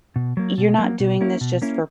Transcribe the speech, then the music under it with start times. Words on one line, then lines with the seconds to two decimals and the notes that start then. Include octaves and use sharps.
"You're not doing this just for
0.16 B2
0.37 F#3 A#3
0.58 B2
0.78 F#3 A#3
1.00 B2
1.21 A#3 C#4 E4
1.41 B2
1.62 A#3 C#4 E4